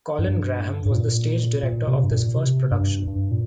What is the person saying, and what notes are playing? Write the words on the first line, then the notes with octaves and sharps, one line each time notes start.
Colin Graham was the stage director of this first production.
G2
G2
A#2
A#2
C3
G2
A#2
C3
G2
G2
A#2